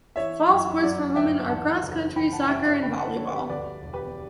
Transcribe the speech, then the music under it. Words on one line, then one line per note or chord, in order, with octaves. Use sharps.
Fall sports for women are cross country, soccer, and volleyball.
E3 C#5 E5
F#2
F#2 D5 F#5
G1 E5 G5
E2 F#5 A5
F#1
E3 G5 B5
F#5 A5
G2 E5 G5
C#5 E5
D3 G5 B5
F#5 A5
G2 A4 C#5
G4 B4
D2 B4 D5
E1
G4 B4